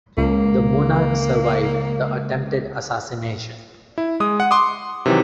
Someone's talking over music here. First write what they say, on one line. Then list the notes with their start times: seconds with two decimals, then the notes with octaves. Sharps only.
The monarch survived the attempted assassination.
0.18 C#2 A#3
3.98 E4
4.20 G#3 D#6
4.40 F#5
4.51 C6 D6 D#6
5.06 C3 D#3 E3 F#3